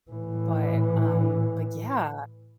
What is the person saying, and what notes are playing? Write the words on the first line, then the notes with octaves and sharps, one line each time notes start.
But, um, but, yeah.
A2 E3